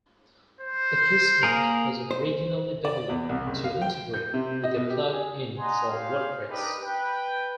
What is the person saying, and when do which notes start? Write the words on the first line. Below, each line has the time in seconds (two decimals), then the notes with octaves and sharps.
Akismet was originally developed to integrate with a plug-in for WordPress.
0.61 C5
1.43 A#3 G#4 A#4
2.11 C5
2.85 D5
3.09 E2
3.29 C2
3.47 F#1
3.64 F5
3.82 G5
4.14 G6
4.34 C3
4.64 D#5
4.76 B2
4.90 G4
5.13 G#4
5.58 D4 D#5 F#5 G#5 A#5 C6
5.89 G4 G#4 C5 F5
6.49 D4 D#4 G4 A#4 B4 D#5
6.82 B4 G5